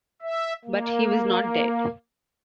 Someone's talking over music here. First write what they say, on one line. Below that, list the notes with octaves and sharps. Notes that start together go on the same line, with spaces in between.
But he was not dead.
E5
A#3